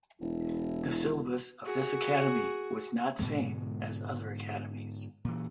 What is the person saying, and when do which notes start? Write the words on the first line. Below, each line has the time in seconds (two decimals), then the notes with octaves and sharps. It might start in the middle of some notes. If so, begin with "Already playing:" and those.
The syllabus of this academy was not same as other academies.
0.21 E1 E4
1.65 F#4 G#4
3.19 G#2 B2 D3 G#3
5.25 A#2 E3